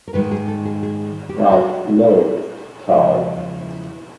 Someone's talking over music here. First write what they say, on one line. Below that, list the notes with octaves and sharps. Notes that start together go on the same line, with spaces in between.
Ralph loathed Todd.
A#4
G#2 D#3 G#3 B4
G#4
A4
G#4
G#4
G4
F#4
E2 C#3 F3 G#3 G4
F#4
F4
E4